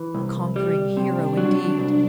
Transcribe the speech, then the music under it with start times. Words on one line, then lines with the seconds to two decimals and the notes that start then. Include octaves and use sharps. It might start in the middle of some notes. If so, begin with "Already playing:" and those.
A conquering hero, indeed!
Already playing: E3
0.15 C2
0.56 G3
0.97 C3 D4
1.37 F#3
1.78 C2